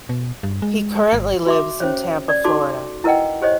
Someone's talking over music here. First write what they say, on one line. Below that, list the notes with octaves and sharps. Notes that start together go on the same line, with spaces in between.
He currently lives in Tampa, Florida.
B2
G2
G#3
G#1
F#4 E5 D6
C#4 C5 C#5
D5
D#4 F#4 A4 C6 D6
E4 A#4 B4 D#5 F#5 G5
G4 C5 C#5 D#5